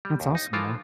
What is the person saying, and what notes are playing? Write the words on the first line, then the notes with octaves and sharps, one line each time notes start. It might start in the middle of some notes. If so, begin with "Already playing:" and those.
That's awesome though.
G3
D#2
D#4
E3 F3 F4 A4 A#4